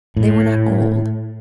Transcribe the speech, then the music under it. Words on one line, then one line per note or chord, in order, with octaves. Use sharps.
They were not old.
A2